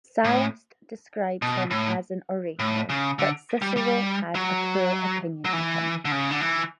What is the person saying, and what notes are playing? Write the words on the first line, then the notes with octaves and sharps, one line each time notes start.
Sallust describes him as an orator, but Cicero had a poor opinion of him.
A2
B2
A2
A2
C#3
D3
G3
G3
F#3
F#3
E3
D3
C#3
D3
E3